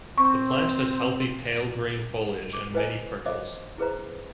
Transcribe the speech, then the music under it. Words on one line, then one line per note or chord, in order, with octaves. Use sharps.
The plant has healthy pale green foliage and many prickles.
C4 C#6
D6
E4 B4 C5 D#5 G#5 D#6
C5 C#5 D#5 F5 D6
E4 G#4 B4 C5 A#5